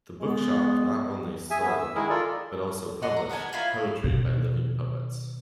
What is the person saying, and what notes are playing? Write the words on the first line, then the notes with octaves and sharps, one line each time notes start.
The Bookshop not only sold, but also published, poetry by living poets.
G#3 B3
G#4 E5 G#5
G2 B3 E5
E6
D#3 G#3 E4 G#4 A#4
F4 A4 A#4 D5
A4 D#5 F#5 C6
A#5
B3 D4 A#4 G#5
A#3 E4 F4 G#5
B2 D#3